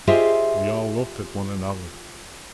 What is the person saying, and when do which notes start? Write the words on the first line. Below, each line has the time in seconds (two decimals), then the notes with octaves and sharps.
We all looked at one another.
0.07 F4 G4 G#4 C5 D#5 E5